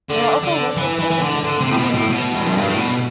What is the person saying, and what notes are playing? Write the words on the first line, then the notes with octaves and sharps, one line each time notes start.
There are also local petroglyphs a short distance from the downtown.
D3
D3
E3
E3
E3
D3
D3
C3
A2
B2
A2
B2
E2
F#2
G2
A2
B2